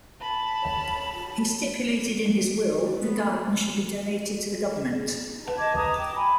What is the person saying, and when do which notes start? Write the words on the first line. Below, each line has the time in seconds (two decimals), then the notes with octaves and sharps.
He stipulated in his will the garden should be donated to the government.
0.20 A5 B5
3.01 B3
3.17 A3
5.45 B4 A5
5.59 D#5 A5 D6 G#6
5.76 B4 A#5 D#6
5.99 G5 D6
6.17 G#5 B5